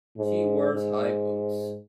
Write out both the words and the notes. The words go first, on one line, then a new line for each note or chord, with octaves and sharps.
She wears high boots.
G#2
G#2